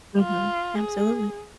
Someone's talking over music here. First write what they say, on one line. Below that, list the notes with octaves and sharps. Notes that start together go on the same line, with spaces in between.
Mhm, absolutely.
F4
G#4